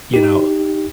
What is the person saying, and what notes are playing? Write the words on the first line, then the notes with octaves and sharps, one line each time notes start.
you know,
D#4 G4